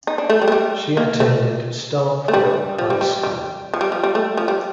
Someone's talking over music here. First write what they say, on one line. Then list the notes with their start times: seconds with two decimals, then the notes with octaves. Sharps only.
She attended Starkville High School.
0.07 D#4
0.18 D4
0.30 A3
0.42 G3
0.48 A3
0.52 G3
0.97 A#3
1.20 A3
2.28 A3
2.33 G3
2.78 F3
2.90 G3
3.01 G3
3.23 G3
3.74 F3
3.81 G3
3.92 F3
4.03 G3
4.15 A3
4.37 F3
4.48 G3